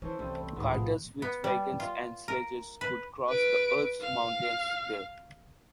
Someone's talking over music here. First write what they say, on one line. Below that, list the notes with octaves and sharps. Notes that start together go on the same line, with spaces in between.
Carters with wagons and sledges could cross the Erz Mountains there.
E3 C#4 A4 C5
C2 E3 G3 A3 C4 C#4
C#2 G#2 D#3 F3 B3 G#4
A#1 A2 C3 F#3
B3
G3
F4
A#4
B4
B4 D7
F5